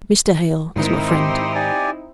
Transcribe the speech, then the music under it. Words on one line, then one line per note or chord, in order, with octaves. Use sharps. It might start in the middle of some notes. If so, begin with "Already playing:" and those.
Mr. Hale is my friend.'
G#2 D#3 C4 D#4 E4
G4 C6
G4 D5 G#5